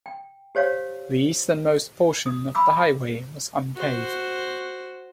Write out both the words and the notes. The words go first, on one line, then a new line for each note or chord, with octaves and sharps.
The easternmost portion of the highway was unpaved.
G5
G4 C5 C#5 F5
D#6
B5 D6 E6
F#4 C5